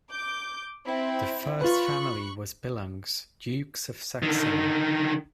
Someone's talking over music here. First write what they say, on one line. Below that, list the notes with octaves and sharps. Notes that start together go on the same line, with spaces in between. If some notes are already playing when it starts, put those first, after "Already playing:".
The first family was Billungs, Dukes of Saxony.
D6 G6
C4 E4
F4 B4 B5 C#6 F#6
D3 D#3